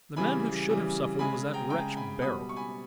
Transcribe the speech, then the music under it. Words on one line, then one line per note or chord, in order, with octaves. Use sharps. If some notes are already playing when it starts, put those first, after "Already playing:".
"The man who should have suffered was that wretch Beryl."
C#3 E3 G3 G#5 B5
C#3 E3 G3
C#3 G#3 G#5 B5
G5 A#5
C#3 G#3 G5 A#5
G#5 B5
B2 G3 B5 D#6
C#6
G#5 B5